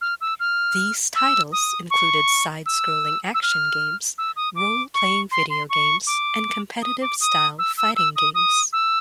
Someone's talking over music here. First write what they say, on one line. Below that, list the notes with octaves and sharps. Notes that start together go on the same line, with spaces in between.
These titles included side-scrolling action games, role-playing video games and competitive-style fighting games.
F6
E6
F6
E6
D#6
C#6
E6
E6
F6
E6
D#6
D6
C#6
C6
C6
C#6
D6
D#6
D6
D#6
E6
E6
E6
D#6
D#6
E6